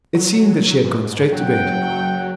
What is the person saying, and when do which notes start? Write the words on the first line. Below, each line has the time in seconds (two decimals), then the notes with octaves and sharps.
It seemed that she had gone straight to bed.
0.15 F#3
0.84 G#2
1.32 F#1 F#3 F#5 G5